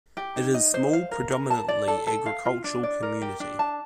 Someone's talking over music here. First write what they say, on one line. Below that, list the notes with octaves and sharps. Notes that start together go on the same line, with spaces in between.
It is small predominantly agricultural community.
G4
D#4
D#5
C5
F5
A#4
A#4
A5
D5
A4
A4
F5
F4
D4
D5
A#4
G4
D4
A5